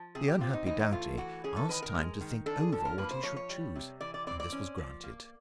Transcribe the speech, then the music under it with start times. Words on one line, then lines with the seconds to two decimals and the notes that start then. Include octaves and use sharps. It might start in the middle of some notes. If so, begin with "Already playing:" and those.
The unhappy Doughty asked time to think over what he should choose, and this was granted.
Already playing: F3
0.15 C3 G#4
0.28 G4
0.41 C4 F4
0.53 D#4
0.66 E3 D#4
0.79 D#4
0.92 A3 F4
1.17 E3 F#4
1.44 C#4 G#4
1.56 A4
1.69 D#3 B4
1.82 A#4
1.95 G#3
2.21 D#3
2.46 D4 A4
2.60 G#4
2.72 F3 A4
2.85 A#4
2.98 A#3 B4
3.11 C5
3.23 F3 C#5
3.36 C#5
3.49 G3
3.75 C3
4.01 E3 D5
4.14 D5
4.27 C4 D5
4.40 D5
4.52 C#4
4.78 F3
5.04 A#3